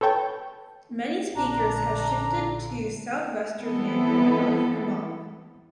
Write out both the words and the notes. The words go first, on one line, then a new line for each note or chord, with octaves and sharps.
Many speakers have shifted to Southwestern Mandarin or Hmong.
A4 B4 C#5 G5 A5
A#1 D3 D4 A#5
E3 B3 C4 E4 A4